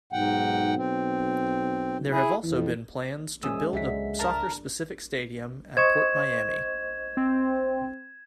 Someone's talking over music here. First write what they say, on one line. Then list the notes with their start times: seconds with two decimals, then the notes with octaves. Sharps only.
There have also been plans to build a soccer-specific stadium at PortMiami.
0.13 B1 G#2 F#5 G5
0.76 C4
2.10 E4 G#4
2.43 F2 E3
3.43 F#2 E3 F3 G#3 G#5 D#6 E6
3.73 C#2 D3 F#3 E5 B6
4.19 G2 A#4 A5
5.77 C5 D#5 C#6 G#6 E7
7.17 C4